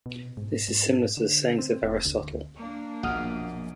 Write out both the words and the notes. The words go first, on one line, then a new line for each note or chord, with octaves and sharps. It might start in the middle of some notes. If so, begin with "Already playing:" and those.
This is similar to the sayings of Aristotle.
B2
G#2
G#2
D3
C4
F1
D2
A#3 D4
A#1 F#2 B2 F#5 D#6 F6